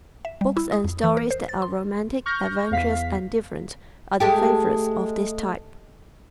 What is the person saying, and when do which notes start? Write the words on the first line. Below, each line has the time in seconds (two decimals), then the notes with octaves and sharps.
Books and stories that are romantic, adventurous, and different are the favorites of this type.
0.25 E5
0.41 G3
0.57 E4
0.72 D#6
0.84 F2
1.04 E3
1.17 A#4
1.31 C5
1.49 A6
1.62 C6
2.26 C#6 F6 G6 A#6
2.71 E2 F5 B6
4.20 G#3 A3 G4